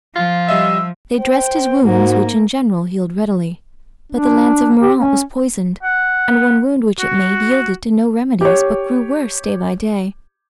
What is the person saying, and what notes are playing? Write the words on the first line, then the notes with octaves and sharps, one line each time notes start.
They dressed his wounds, which in general healed readily; but the lance of Moraunt was poisoned, and one wound which it made yielded to no remedies, but grew worse day by day.
F3 F4
G3 D#5 E5 E6
C5 G5
G#2 A#3 F#4
D4
G4
C#4
F#5
F#4
G4 C#5